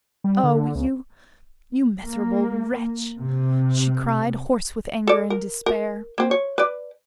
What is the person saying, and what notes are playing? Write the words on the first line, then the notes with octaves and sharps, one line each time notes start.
"Oh, you--you miserable wretch!" she cried, hoarse with anger and despair.
G3
D3
C#2
A#3
C3
A4 D5
A#4
A#4
A#3 C4
C#5
B4 D5